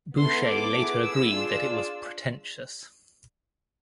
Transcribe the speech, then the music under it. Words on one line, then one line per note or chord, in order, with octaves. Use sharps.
Boucher later agreed that it was "pretentious".
B3 E4 A4 C6
D6
B3 E4 G#4
E6
D4 F4 G#4